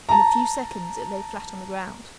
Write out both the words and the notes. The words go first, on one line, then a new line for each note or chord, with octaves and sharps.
In a few seconds it lay flat on the ground.
A5 A#5